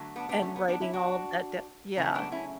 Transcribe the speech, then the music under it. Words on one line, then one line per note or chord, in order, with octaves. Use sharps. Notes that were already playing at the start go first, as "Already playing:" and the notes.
and writing all of that d Yeah.
Already playing: D3 F#3 A3
B3 D4
B3 D4
A3 C#4
B3
B3 D4
C#4 E4
D4 F#4
C#3 F#3 A3 C#4 E4
B3 D4
C#4 E4